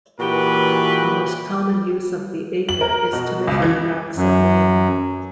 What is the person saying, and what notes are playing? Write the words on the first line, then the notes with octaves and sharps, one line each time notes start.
The most common use of the acre is to measure tracts of land.
A#2 E3 F#4 G4 B4
F#7
A#4
B2
C#2
E3
F#2